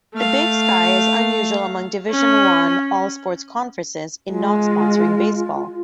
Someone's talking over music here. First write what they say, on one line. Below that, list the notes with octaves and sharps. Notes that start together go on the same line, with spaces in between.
The Big Sky is unusual among Division I all-sports conferences in not sponsoring baseball.
A3 F5
C#4
G#3 F4